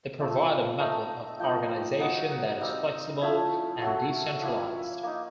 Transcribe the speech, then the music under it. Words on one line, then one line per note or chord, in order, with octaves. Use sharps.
They provide a method of organization that is flexible and decentralized.
F3 A3 C4
A3 C4 D#4
F3 A#3 D#4 G5
F#3 B3 D#4 G#5
F#5
G3 C4 D#4 F5
F3 A3 C#4 E4
F#3 A3 C#4
F3 A#3 C#4 E4 F#5
A#3 D#4